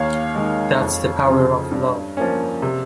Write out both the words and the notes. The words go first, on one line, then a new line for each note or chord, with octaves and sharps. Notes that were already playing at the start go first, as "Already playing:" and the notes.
That's the power of love.
Already playing: D#2 C#5 F5
D#3 G#3
F2
C#3 F3
G2
F3 A#3 C#4
C3